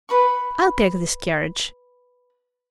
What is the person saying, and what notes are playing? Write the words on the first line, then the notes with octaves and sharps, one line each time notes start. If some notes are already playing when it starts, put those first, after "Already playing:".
I'll take this carriage.
B4 B5 C#6